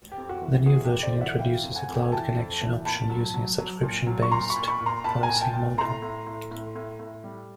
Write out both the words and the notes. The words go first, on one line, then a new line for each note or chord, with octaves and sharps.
The new version introduces a cloud connection option using a subscription-based pricing model.
G4
F2
F#4
E3
E3 F#4 G#4
G4 A4
F2
C5 D5
E3
E5 F#5
E3 F5 G5
F2
F#5 G#5
F2
G5
G#5
E3 G5 A5
F2
E3
A#2 A5 B5
F#3
F#3
F#3
A#2
F#3
C#6
A#2 A#5 C6
B5 C#6
A#2
B5 C#6
A#2
A#5 C6
A#2 A5 B5
G#5 A#5
A#2
G5 A5
A#2
A2 A#5 C6
A2
A2
A2
A2
A2
G3